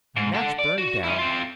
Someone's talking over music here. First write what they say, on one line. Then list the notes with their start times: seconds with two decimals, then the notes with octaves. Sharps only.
My match burned down....
0.16 G#2
0.34 A4 F#5
0.59 D5
0.78 F#4
1.03 C#4 E4
1.19 C4 F4